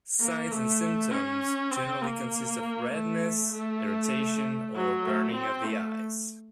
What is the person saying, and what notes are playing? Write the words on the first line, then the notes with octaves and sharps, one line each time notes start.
Signs and symptoms generally consist of redness, irritation or burning of the eyes.
A#3
A3
C#4
C4
A#3
A3
A3
F#3
A3
C4
A3